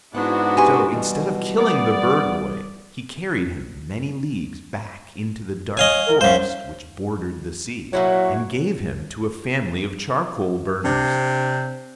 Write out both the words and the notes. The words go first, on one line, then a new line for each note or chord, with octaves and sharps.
So, instead of killing the bird-boy, he carried him many leagues back into the dark forest which bordered the sea, and gave him to a family of charcoal-burners.
G#2 B3 D4 E4 F#4 F#5
G4 B4 G#5 C6 C#6
B2 E3 G3
B3 D5
C#5 D#5 F5 G#5
A#4
F#2 C5 F5
A#2 F#3 E4 F#4 C#5 F#5
C3 D4